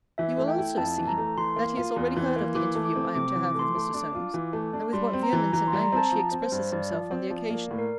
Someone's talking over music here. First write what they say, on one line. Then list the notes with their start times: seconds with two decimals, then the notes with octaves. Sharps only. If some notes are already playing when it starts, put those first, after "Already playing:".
You will also see, 'that he has already heard of the interview I am to have with Mr. Solmes;' and with what vehemence and anguish he expresses himself on the occasion.
0.18 E3 E5
0.38 A3
0.48 G5
0.58 E4
0.77 F2 A5
0.98 E3
1.08 A#5
1.18 A3
1.37 E3 C6
1.56 A#3
1.77 F4
1.96 E2
2.17 E3
2.36 A#3
2.55 E3 D6
2.75 A3
2.85 D6
2.95 C4
3.15 C3 D6
3.30 D6
3.35 E3
3.44 D6
3.55 A3 C6
3.75 A3 D6
3.94 D4 D6
4.15 F4
4.34 E3
4.53 A3
4.73 D4
4.93 G3 C6
5.13 C4
5.23 A#5
5.33 E3
5.52 E3 A#5
5.68 C6
5.73 G3
5.82 A#5
5.92 C4 A#5
5.97 A5
6.12 F3 A5
6.31 C4
6.42 C5
6.52 G2
6.72 G2 D5
6.91 F3
7.11 C4
7.30 F3
7.50 A#3
7.71 A2
7.79 A#4